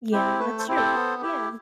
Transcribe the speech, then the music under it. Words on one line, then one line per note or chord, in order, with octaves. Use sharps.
Yeah, that's true, yeah.
C4 E4 G4
A3 B4
A4 C5
C4 E4 G4
A4 C5
B3
E4 G4